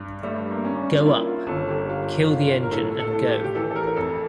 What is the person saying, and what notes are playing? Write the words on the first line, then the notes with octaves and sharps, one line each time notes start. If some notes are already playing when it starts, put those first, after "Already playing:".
Go up... kill the engine and go.
Already playing: G2
G3 A3
A#3
C#4
D4
F4
A#3 E4
F4
G1 A4
G4
F4
F4
A#4
A2 A4
A4
A2
G4
G4
E3 A4
A4
A#4
A#4
F2 A4